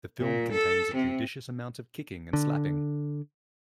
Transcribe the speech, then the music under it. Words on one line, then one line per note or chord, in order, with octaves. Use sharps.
The film contains a judicious amount of kicking and slapping.
A#2
A4
C3
D3